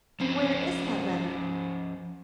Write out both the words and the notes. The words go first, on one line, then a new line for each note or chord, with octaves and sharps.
"And where is that letter?"
F3 C#4 C5